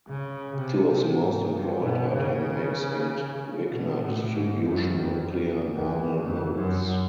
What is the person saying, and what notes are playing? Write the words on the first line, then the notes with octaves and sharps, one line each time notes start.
Two of the most employed are dynamics and Wigner distribution nuclear normal modes.
C#3
C3
C3
G#2
G2
B2
C#3
B2
A2
G#2
F#2
F2
E2
F2
F#2